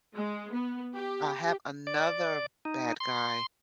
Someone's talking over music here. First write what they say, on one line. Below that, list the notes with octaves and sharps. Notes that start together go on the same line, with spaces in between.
uh, have another bad guy
G#3
B3
G4
D5
D#4
C6